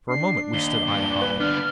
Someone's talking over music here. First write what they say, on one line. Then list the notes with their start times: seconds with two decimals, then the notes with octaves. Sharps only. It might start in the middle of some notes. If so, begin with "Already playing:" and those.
For a moment we stood eye to eye.
0.09 D4 C7
0.53 D#2 G7
0.87 G2 A#2
1.21 B4
1.40 D3 B3 D4 F6